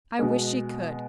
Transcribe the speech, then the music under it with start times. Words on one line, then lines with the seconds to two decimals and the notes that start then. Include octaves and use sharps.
I wish she could.
0.19 B2 G#3